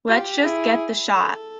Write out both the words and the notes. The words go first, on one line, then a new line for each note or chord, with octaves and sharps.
Lets just get the shot.
F4 G4
E4 G#4
A4